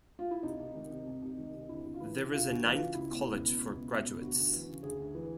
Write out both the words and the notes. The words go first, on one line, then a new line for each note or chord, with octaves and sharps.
There is a ninth college for graduates.
F4
E4
C2 D#4
C2
D#3
C3
C2
C2
D#3
C3
D2 E4
D2
F4
E3 E4
C#3
D2 F4
D2 F#4
E3
F4
C#3
C#2 E4
B2
C#2
B2
C#2
B2
C#2
B2
D2 F#4
D2
E3
C#3
D2 G#4
D2
E3